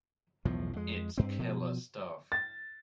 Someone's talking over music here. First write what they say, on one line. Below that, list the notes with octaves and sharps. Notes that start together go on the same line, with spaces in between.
It's killer stuff.
B1 E2 A2 F3
F2 G#3
G2 C4
B2 F3
A6